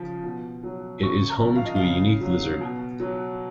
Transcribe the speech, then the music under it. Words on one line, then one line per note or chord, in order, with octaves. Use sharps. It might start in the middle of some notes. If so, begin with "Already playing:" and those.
It is home to a unique lizard.
Already playing: C#3 F3
B2
F#3
C#3 C#6
A#5
F3
F5
D#5
F5
C#3
F#3
B2
F#3